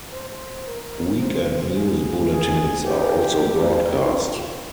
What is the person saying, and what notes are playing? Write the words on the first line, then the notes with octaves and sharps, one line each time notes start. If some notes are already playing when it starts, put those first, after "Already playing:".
Weekend news bulletins are also broadcast.
C5
A#4
C5
G#4
G#4
G4
F4